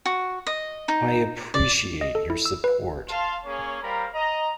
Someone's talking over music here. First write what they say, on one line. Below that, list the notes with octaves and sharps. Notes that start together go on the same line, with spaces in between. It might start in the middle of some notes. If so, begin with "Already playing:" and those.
I appreciate your support.
F#4
D#5
D#4
D5
D#5
A4
E4
E6
B4
F5 A5 C6
A#3 C#4 G#4 C#5
G3 A#4 C5 F5 A#5 B5
D#5 A#5